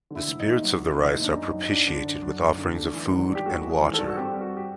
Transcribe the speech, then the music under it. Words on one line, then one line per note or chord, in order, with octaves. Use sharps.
The spirits of the rice are propitiated with offerings of food and water.
D3
E4
F1
D#4
D#2
F#3
D3
E4
F1
D#4
D#2
D4
F#2 D#4
F#3 D#4
D#4
F#2 D4
D3 D4
F#2
F#3
F#2
D3
A3
E3
G#1
G2
G4
A3 F#4
E3
G#4
G#1
G2 A4
F#4
C4 G4
G3
F#4
G4